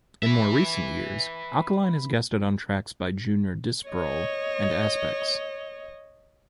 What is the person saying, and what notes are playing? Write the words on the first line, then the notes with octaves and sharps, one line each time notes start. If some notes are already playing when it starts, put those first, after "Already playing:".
In more recent years, Alkaline has guested on tracks by Junior Disprol and Aspects.
B4 E5
C#5 D#5